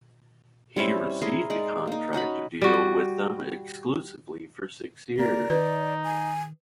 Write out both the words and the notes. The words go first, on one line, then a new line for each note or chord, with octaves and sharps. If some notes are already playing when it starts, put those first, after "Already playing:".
He received a contract to deal with them exclusively for six years.
G3 C4 C#4 E4
E4 G#4 A#4 C6
G#3 D#4 D5
A#3 D#4
C#4 D#4 F#4 B5
G3 F#4
A#3 A#4 D5
D#3 D#4 B4
G#5